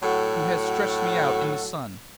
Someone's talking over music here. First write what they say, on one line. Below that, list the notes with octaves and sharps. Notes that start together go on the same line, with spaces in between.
He has stretched me out in the sun.
A2 F#3 F#4 A4